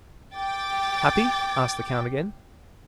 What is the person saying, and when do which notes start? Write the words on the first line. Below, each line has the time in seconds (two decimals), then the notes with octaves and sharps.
"Happy?" asked the count again.
0.36 G5 D6 A6